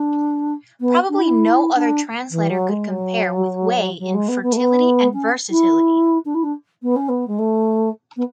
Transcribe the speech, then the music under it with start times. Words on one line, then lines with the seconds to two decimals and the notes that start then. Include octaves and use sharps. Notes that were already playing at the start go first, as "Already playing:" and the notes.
Probably no other translator could compare with Way in fertility and versatility.
Already playing: D4
0.80 B3
1.09 D4
1.18 E4
1.75 D4
2.30 E3
2.49 F#3
2.69 G#3
2.88 F#3
3.99 F#3
4.14 G#3
4.28 B3
4.42 B3
4.52 A3
4.57 B3
5.13 C#4
5.50 E4
6.25 D4
6.34 E4
6.43 D4
6.82 B3
6.96 C#4
7.09 B3
7.27 G#3
7.38 A3
8.16 B3